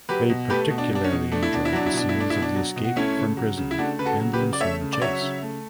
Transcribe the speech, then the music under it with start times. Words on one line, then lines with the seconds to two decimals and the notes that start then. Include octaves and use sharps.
They particularly enjoyed the scenes of the escape from prison and the ensuing chase.
0.09 F#3 G4 B4
0.30 B2
0.50 A3 G4 B4
0.70 B2
0.78 D4
0.92 F#3 D4
1.04 C#4
1.12 B2
1.32 A3 D4
1.43 E4
1.53 B2 D4
1.65 E4
1.73 F#3 D4
1.86 E4
1.94 B2 D4
2.09 E4
2.15 A3
2.20 D4
2.30 E4
2.35 B2
2.42 D4
2.55 F#3
2.76 B2
2.84 F#4
2.96 A3 C#4 E4
3.17 C#3
3.37 F#3
3.57 C#3
3.71 E4
3.78 A3 D4 F#4
3.99 C#3 B4
4.05 F#4 A4
4.19 F#3
4.33 G4 B4
4.40 C#3
4.53 D5
4.61 A3 C#5 E5
4.81 C#3
4.93 D5
5.02 F#3 C#5 E5
5.22 C#3
5.43 A3